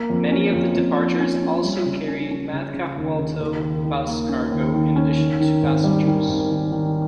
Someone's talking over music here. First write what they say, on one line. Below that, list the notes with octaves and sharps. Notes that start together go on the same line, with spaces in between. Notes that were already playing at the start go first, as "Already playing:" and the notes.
Many of the departures also carry Matkahuolto bus cargo in addition to passengers.
Already playing: A#3
F2
C#4
F2
F2
F2
C#4
C#4
G3
C#3
C#4
C#4
C#3
C#3
D#2
C#3
D#2
D#2
D#3
A#3
C#4
D#2
D#3
C#4
D#3
D#3
G#1
G3
D#3
G#1
D#3
D#3